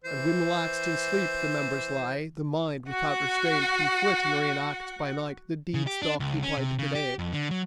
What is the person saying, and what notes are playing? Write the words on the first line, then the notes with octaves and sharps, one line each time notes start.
And when relaxed in sleep The members lie, the mind, without restraint Can flit, and re-enact by night, the deeds That occupied the day.
E3 C5
F#4 F#5
C#3
G4
D4
C#2
C#4
C3
C#3
G4
F2
D3
F#3